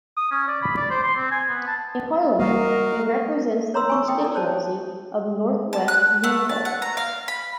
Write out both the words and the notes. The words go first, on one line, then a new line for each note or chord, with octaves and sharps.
In Parliament, he represents the constituency of North West Norfolk.
D#6
C#4
D5
B5
D5
C5
C6
C4
G#5
B3
A5
G3 A#3 F#4 A#4 D#5 F5
C#5 A#5 C6 E6
G#5 C#6 E6
E4 G5 D#6
E4 A4 D5
C5 C#5 A5
A5
F#6
A3
A5
F#5
A#5
F5
B5